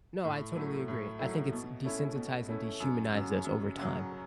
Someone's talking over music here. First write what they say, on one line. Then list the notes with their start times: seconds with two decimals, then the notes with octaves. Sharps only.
No, I totally agree, I think it's desensitized and dehumanized us over time.
0.24 A2
0.56 F#3 A3 E4
0.88 A2
1.19 F#3 A3 E4
1.52 B2
1.84 A3 C#4 E4
2.16 B2
2.49 A3 C#4 E4
2.80 F#2
3.13 C#3 F#3
3.44 F#2
3.76 C#3
3.81 F#3